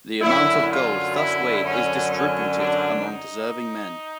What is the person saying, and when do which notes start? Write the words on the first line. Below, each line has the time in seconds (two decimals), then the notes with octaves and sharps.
The amount of gold thus weighed is distributed among deserving men.
0.21 F#2 D3 F#3 E4
0.69 F4
1.15 E4
1.63 C#4
2.10 C#4
2.57 D4
3.05 D#4